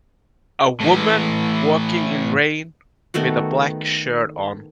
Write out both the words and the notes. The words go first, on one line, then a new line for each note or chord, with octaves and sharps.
A woman walking in rain, with a black shirt on.
A2 E3
D#3 A3 B3 F#4